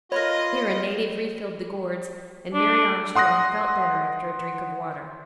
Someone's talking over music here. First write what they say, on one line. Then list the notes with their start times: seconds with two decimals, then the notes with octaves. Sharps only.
Here a native refilled the gourds, and Mary Armstrong felt better after a drink of water.
0.12 F4 A#4 B4 C#5 D#5 B5
2.53 D4
3.15 F#5 C6 D#6 F#6 A#6